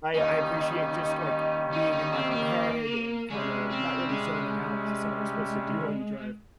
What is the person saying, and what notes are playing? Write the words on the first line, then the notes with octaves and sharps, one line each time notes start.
I I appreciate just, like, being in my own head and kinda not really zoning out, 'cause it's not what you're supposed to do while you drive.
D#2 D#3 G3 C#4 D#4
D#4
D#4
C4
A#3
C3 G3 G#3 C#4
C4
G#3